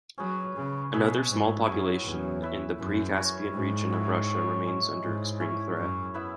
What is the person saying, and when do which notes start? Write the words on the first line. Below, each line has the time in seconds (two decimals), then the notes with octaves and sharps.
Another small population in the Pre-Caspian region of Russia remains under extreme threat.
0.18 F#3 C#4 G#4 B4
0.55 C#3
0.92 B2 C#4 G#4 B4 E5
1.30 G#2
1.67 F#2 F#3 E4 G#4
2.05 E2
2.42 E4 B4 E5
2.79 F#2
3.16 C#4 F#4 C#5
3.54 G#2
3.90 F#3 E4 C#5 E5
4.66 G#3 C#4 E4
5.03 G#2
5.40 C#4 E4 C#5
5.77 F#2
6.14 B3 E4 B4 E5